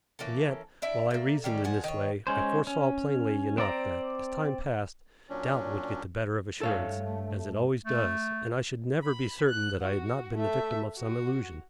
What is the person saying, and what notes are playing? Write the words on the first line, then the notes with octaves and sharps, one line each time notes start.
And yet, while I reasoned in this way, I foresaw plainly enough that, as time passed, doubt would get the better of assurance, as it always does, and I should never be certain that I had not been the victim of some illusion.
E3 A#3 C#4 A4
D4 E4 E5
A3 A#3
D#3 G3 C#4
F3 G#4 F#5
D#3 C#5
G#3 C#4 C5
C#4
C4 D5 A#5
A#2 F#3 C#4 D4
G2 A3 A4 C#5 F5
A3
B5
F#6
F#4
A3 E5
F#4